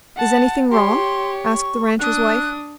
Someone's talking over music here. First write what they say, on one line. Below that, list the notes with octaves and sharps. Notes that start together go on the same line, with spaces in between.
"Is anything wrong?" asked the rancher's wife.
F#5 A5
G4 C#5 C6
C#6
D4 D#6 F#6